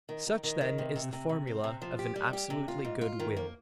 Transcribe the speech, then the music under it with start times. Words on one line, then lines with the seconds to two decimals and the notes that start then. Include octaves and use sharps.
Such then is the formula of an absolutely good will.
0.09 D#3
0.27 D#3
0.43 D#3
0.61 D#3
0.78 C3
0.96 C3
1.13 C3
1.29 C3
1.47 C4
1.64 C3
1.82 F3
1.99 G4
2.16 G3
2.33 G4
2.50 C3
2.68 F4
2.85 G#2
3.01 F4
3.20 D#3
3.37 A#3